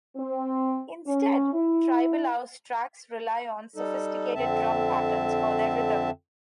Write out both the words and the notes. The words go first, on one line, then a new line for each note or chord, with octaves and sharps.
Instead, tribal house tracks rely on sophisticated drum patterns for their rhythm.
C4
C#4
E4
G3 D#4 A4
F2 D3 C4 E5 A5